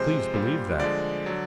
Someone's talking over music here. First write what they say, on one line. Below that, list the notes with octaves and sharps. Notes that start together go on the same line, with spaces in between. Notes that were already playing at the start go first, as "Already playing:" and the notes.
"Please believe that."
Already playing: C3 F3 G#3 C5
A#2 G3
D3 F3 G#3 D5
D3 F#3